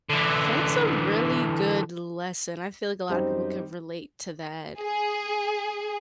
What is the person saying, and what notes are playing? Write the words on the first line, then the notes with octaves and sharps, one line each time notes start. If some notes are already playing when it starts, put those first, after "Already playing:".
That's a really good lesson. I feel like a lotta people could relate to that.
D3 E3
F#2 G3 C4 D#4 C5
G#4